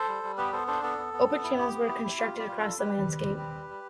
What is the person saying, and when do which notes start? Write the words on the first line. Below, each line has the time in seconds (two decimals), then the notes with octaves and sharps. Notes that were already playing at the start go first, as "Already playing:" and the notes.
Open channels were constructed across the landscape.
Already playing: A4 C5
0.08 G3
0.23 G3
0.37 B3 G4 B4
0.52 B3 A4 C5
0.68 D4 A4 C5
0.83 B3 A4
0.98 B3
1.13 B3
1.28 B3
1.44 E4
1.58 B3 G4
1.73 B3
1.88 E4
2.04 E4
2.19 F4 G4
2.33 G3
2.39 G4
2.48 F4
2.59 G3 A4
2.78 G3 G4 B4
2.94 G3
3.09 C4
3.24 G3
3.38 C4
3.55 G3
3.69 G3